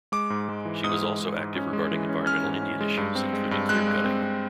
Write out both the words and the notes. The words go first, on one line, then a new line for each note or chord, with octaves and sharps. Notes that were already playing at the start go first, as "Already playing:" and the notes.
She was also active regarding environmental Indian issues, including clearcutting.
G#3 D6
G#2
G#3
E3
G#2 D#6
G#3
G#2
G#2
C#4
G#3
E3
C#4
C#4 F6
G#2
C#4
G#3
G2
C4
G#3
G2
G#3 F#6
G2
C4
C4